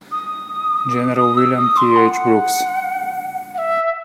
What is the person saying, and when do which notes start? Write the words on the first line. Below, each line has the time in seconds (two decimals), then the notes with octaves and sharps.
General William T. H. Brooks.
0.12 D#6
1.17 D#6
1.37 E6
1.57 D#6
1.77 C6
1.96 F#5
3.55 F#5
3.58 E5